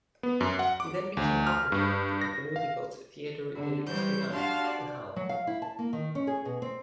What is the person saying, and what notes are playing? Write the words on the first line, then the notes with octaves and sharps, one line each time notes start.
He then became opera director at the newly built "Theater des Friedens" in Halle.
B3
F#2
F#5
D6
D2
F6
G2
A#6
F5
D3
E3 G3 C5 C#5 G6
D4 F#4 G4 F5 A5 C6
D5
F#3
F5
E4
A5
A#3
D#3
C#4
G#4
B2
C4